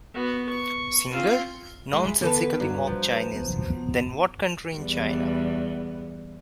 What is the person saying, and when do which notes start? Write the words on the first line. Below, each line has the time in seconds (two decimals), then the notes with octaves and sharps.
Singer: Nonsensically mock Chinese, then What country in China?
0.14 B3 F#4
0.49 C#6
1.11 C4 F4
1.93 G#3 E4
2.21 D3 E3 B3 A4 B4
2.60 G2 F#3
2.87 F3 B4
3.35 B3
4.76 E2 G3 B3